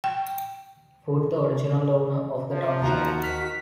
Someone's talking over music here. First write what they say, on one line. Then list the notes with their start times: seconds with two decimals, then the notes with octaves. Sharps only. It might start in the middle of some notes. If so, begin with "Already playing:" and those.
Foot, the original owner of the town site.
0.04 G5
2.51 F3
2.82 D#2 D#3 F#4 A#5
3.23 D#3 F6 B6